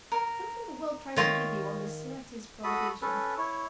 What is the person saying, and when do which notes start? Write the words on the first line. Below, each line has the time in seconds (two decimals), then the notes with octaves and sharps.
Something the world tries to give you on the slightest provocation.
0.12 A#4
1.16 D#3 F4 C#5 E5
2.64 F#4 A4 B5 D#6
3.02 C#4 A4 B4
3.38 E4 C#5